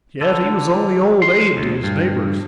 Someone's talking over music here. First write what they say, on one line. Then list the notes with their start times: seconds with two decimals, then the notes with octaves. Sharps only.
Yet he was only "Old Abe" to his neighbors.
0.21 D3
1.22 C6
1.57 D2
1.84 G2